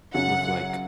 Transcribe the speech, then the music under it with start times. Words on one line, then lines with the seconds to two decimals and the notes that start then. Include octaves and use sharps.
with, like,
0.14 F#2 C#3 F#3 C#4 F#5